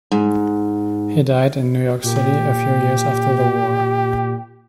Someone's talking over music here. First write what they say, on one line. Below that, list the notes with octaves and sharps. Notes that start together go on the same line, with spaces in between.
He died in New York City a few years after the war.
G#2
A#2 G4